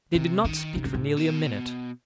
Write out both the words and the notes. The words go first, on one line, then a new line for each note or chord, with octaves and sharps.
They did not speak for nearly a minute.
C3 E4
D#3 D#4
C3 D#4
C4
A2 D#4
B2